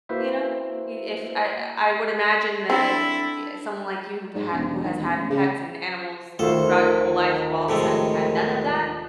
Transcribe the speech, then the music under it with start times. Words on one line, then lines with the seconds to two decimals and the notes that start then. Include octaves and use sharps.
you know? Y if I I would imagine that if y eh, someone like you, who who has had pets and animals, throughout your whole life, if all of a sudden you had none of that,
0.09 A#3 E4 F#4 B4 C5 E5
2.70 C4 D4 E4 A4
4.35 G#2
4.52 E1
4.66 E1
4.84 D#3
5.00 E1
5.14 A1
5.30 C#3
6.39 D#1 D#3 A3 F4 F#4 A4 C5
7.69 A2 C3 F3 G#3 A4